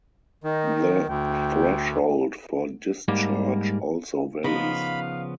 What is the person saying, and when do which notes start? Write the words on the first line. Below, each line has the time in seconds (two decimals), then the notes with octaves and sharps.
The threshold for discharge also varies.
0.44 D#3 D#4
1.07 D2 G5
3.08 G#2 G3 A#3
4.44 C#3 F3 B3 D#4 F5 B5